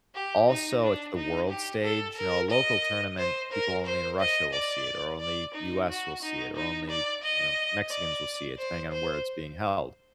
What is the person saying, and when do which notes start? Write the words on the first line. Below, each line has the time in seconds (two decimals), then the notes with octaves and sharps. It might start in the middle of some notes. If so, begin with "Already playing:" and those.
Also, it's the world stage, you know, a local tournament, people only in Russia will see it or only US will see it or only, you know, Mexicans will see it depending on where it's being held.
0.15 G4
0.49 D#4
0.82 D4
1.16 D#4
1.49 G4
1.83 A4
2.17 A#4
2.50 D#5
3.18 C5
3.52 A#4
3.86 C5
4.20 D#5
4.53 D5
5.20 D5
5.54 D#4
5.89 F#4
6.22 D#4
6.56 D#4
6.90 D5
7.23 D#5
7.91 D5
8.58 C5
8.92 C5